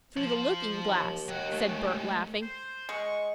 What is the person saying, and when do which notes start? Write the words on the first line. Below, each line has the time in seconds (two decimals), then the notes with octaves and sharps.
"Through the looking glass!" said Bert, laughing.
0.17 F3 F#7
0.84 D#2
1.29 F#3 F#5 G5
1.52 G#3 A3
2.42 C5
2.89 G#3 C#6